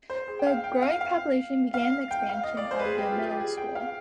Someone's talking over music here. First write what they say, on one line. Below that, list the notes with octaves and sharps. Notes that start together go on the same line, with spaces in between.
The growing population began the expansion of the middle school.
C5
G#4
G5
F5
G5
F5
F5
F5
G5
F5
D#5
D5
C5
B4
G#4
G4
F4
G4
G#4
G5
F5